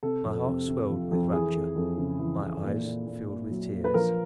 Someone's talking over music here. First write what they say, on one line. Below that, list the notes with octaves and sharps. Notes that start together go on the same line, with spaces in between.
My heart swelled with rapture, my eyes filled with tears.
C3 A4
F2
C3
C3
F3
F2
E3 G#4
F2
F2
C#3
E3
E3
A#2
A#2
A#2
A#2
F#3
A#2
B4
F3 A#4